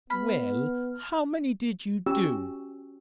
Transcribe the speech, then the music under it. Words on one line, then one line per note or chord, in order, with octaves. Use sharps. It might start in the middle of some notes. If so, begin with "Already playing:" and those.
"Well, how many did you do?"
B3 B5 F6
C#4 F#4 G4 E6